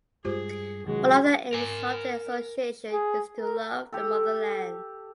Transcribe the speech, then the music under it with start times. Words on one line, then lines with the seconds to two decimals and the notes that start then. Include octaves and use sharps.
One of the aims of the Association is to "love the motherland".
0.25 G2 G#3 F4 G4 G#4 C5
0.87 C#2 C3 D#3 F#3 G#3 F#4 G#4
1.53 A#4 G#5
2.93 G#4
3.41 A#4
3.93 G4 A4